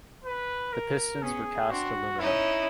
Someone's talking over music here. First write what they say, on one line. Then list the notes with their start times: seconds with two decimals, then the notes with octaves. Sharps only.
The pistons were cast aluminum.
0.24 B4
0.73 A#4
1.22 B3 C#4 G#4
1.71 C4 D4 F#4
2.19 C#4 D#4 E4